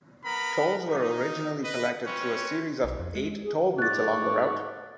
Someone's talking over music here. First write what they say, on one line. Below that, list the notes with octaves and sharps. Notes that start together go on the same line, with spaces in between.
Tolls were originally collected through a series of eight toll booths along the route.
B3 A#4 A#5 B5
D#4
B4 D#5
C4 C#4 B4 C#5
B1
F2
G#3
G#4
G#2 C#5 D5 F#6 A6